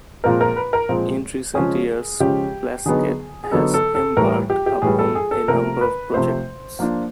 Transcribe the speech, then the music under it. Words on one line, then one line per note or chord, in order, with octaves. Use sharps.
In recent years, Plaskett has embarked upon a number of projects.
A#2 F3 G#3 C4 A#4
A#4
B4
A#4
A#2 F3 G#3 C4
C#3 F3 G#3 C#4 G#4
C#3 F3 G#3 C#4 G4
D3 F#3 B3 D#4 G#4
G#4
D3 F#3 B3 D#4 A4
A4
A4
A2 E3 G3 A#4
G4
G4
A2 E3 G3 G#4
A4
G#4
A4
C3 F3 A3 A#4
B4
C3 F3 A3 C5
F3 A#3 D4 F4